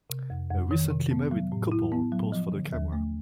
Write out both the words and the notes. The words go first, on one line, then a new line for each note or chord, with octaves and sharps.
A recently married couple pose for the camera.
C3
F2
F2
D#3
C3
B3
F#3
A2
E4
B3
F#3
F3
D3
D#2
A3